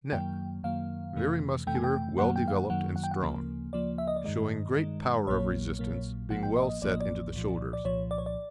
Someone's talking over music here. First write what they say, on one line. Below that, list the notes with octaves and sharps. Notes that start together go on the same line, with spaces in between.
NECK--Very muscular, well developed, and strong; showing great power of resistance, being well set into the shoulders.
F#2 D#3 F#3 A#3 G5
F#2 D#3 F#3 A#3 F5
F2 C3 E3 A3
F2 C3 E3 A3 G5
G#5
G5
F#2 D#3 F#3 A#3 F#5
G5
F5
F#5
F#2 D#3 F#3 A#3 F#5
F#5
G5
F#5
D2 C#3 F3 A#3
D2 C#3 F3 A#3 D5
E5
D#5
D5
G2 D#3 G#3 D#5
G2 D#3 G#3
A#1 A#2 F#3 A#3 C#5
A#1 A#2 F#3 A#3
A1 A2 F3 A#3 F#5
G5
D#5
D#5
A1 A2 F3 A#3 D5
D#5
D5
C2 A#2 F3
D5
C2 A#2 F3 C#5
D5
C#5
D5